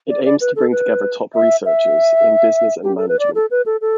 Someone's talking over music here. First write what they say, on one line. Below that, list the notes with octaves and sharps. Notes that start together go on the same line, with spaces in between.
It aims to bring together top researchers in business and management.
D5
D5
B4
A4
B4
E5
E5
G4
A4
B4
D5
A4
B4
A4
A4